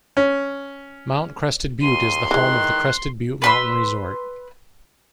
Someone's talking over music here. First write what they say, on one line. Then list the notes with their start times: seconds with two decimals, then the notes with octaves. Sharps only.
Mount Crested Butte is the home of the Crested Butte Mountain Resort.
0.17 C#4
1.82 D#2 C6 D#7
2.31 D#3 E3 G#3 F#6
3.42 B4 C6 E6